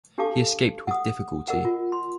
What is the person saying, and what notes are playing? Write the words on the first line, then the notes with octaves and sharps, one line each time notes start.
He escaped with difficulty.
D4 G4 A4 F5 A5 D6
F#5 D#6
A#4 D#5 F#5
F4
C6